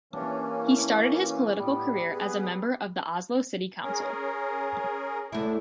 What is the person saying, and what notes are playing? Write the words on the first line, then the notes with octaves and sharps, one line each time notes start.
He started his political career as a member of the Oslo City Council.
E3 A#3 C#4 D4 G4 C#5
A2 G3 B3
B3 G#4 B4
C#4 G#4 A#4
E2 A2 A3 D4 E4